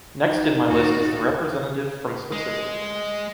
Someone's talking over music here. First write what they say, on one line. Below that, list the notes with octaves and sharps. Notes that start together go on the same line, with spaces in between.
Next in my list is the representative from Switzerland.
D#4
D#2 F#4
G#3